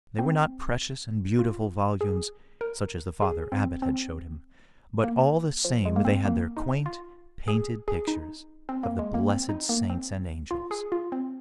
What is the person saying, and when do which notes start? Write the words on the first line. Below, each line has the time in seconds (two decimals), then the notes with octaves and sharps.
They were not precious and beautiful volumes, such as the Father Abbot had showed him, but all the same they had their quaint painted pictures of the blessed saints and angels.
0.19 C4
1.39 F4
2.01 G#4
2.61 A#4
3.22 G#4
3.52 C4
3.82 C4
5.04 A#3
5.65 F3
5.85 G#3
5.96 A#3
6.05 C4
6.25 A#3
6.57 D#4
6.86 F4
7.48 G#4
7.88 G#4
8.07 D#4
8.69 C4
8.83 A#3
8.99 G#3
9.14 A#3
9.29 C4
9.49 D#4
9.69 A#3
9.90 C4
10.51 F4
10.71 G#4
10.92 F4
11.12 C4